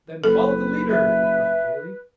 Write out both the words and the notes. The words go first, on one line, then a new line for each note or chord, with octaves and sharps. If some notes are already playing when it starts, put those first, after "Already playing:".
"Then follow the leader," he cried gaily.
F#1 A4 B4
E5